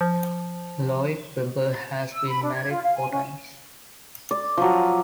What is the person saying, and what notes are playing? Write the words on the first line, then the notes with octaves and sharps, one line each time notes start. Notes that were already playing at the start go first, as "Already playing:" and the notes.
Lloyd Webber has been married four times.
F3
E6
B5
D4
G#6
F4
F5
G#5
C#4
D5
F3 F#3